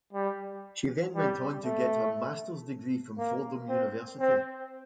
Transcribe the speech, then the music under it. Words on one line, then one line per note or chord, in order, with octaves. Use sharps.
She then went on to get her Master’s degree from Fordham University.
G3
G3
A3
A#3
C4
C4